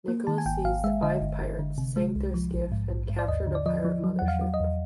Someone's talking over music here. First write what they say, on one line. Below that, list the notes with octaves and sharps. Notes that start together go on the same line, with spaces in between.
"Nicholas" seized five pirates, sank their skiff and captured a pirate mother ship.
A#3
D#3 A5
G#5
G#1 G5
G#1 F5
G#3 E5
D3 D#5
G1
G1
D3
C3
G#3
C2
F3
A#1
G#2
A#1
G#2
D5
D#2 D#5
D3
D5
F3 D#5
F3
F#3
E2 F#5
F5
F#3
D#5
E2